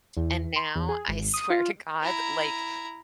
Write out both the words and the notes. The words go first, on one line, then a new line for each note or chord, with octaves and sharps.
and now, I, swear to God, like,
E2
C6
E2
G#4
G#1
D#6
F4
E4 A#5